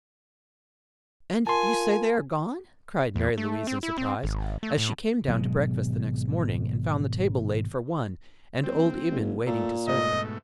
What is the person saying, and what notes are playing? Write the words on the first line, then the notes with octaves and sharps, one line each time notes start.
"And you say they are gone?" cried Mary Louise in surprise, as she came down to breakfast the next morning and found the table laid for one and old Eben waiting to serve her.
F4 A#4 G#5 A5 C6
E2
A3
C4
E4
C4
G#1
A3
A2
G#1 B2 F#3 G#3
F#1 C4
F#1
A#2 A3
G#2 B2 A3 D#5